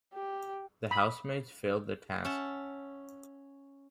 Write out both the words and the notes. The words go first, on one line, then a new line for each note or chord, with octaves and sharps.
The housemates failed the task.
G4
B5
C#4 E5 F#5 A5